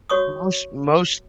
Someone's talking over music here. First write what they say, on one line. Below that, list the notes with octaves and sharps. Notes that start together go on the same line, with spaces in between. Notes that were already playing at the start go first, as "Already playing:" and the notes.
Most most
F#4 C#5 C#6 D#6